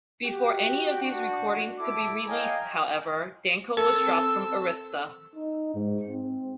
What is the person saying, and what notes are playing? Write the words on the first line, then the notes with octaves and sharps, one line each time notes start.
Before any of these recordings could be released, however, Danko was dropped from Arista.
F#4 G4 G5
D4 F#4
E4 A4 A5 D6
C#5 D#5 F5 G5 G#5 A#5
C4 A4 A#4 E6
D#4
G#2
C4